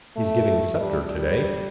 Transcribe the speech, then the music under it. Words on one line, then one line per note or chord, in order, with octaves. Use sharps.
He's giving Sceptre today.
A3
G3
G3